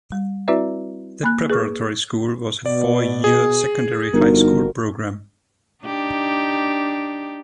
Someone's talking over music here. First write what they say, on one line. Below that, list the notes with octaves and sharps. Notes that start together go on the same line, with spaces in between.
The Preparatory School was a four year secondary high school program.
G3
C4 E4 F#4 B4 D5 E5
A#3 B5 F#6
G#4 B4 C#6 F6
B2 D5
G#4
G1 F2 D#4 F#4 A#4
D4 D#4 G4